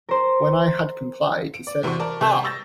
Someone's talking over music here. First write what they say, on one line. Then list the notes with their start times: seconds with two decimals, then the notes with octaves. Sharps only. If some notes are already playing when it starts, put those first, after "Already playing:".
When I had complied, he said, "Ah!"
0.09 A#4 C5
1.54 D7
1.67 D5
1.83 E2 C3 F#4 C5 C#6
2.00 A#4 D5 A5
2.21 C3 G6 E7
2.44 C#6 E6 G6 A6 A#6